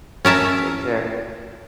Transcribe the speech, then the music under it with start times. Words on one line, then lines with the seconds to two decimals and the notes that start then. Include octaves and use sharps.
Take care.
0.25 C#4 A#4 E5 A5